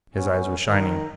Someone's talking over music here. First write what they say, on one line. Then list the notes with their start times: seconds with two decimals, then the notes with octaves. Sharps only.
His eyes were shining.
0.15 B3 C#4
0.67 D#3 A#5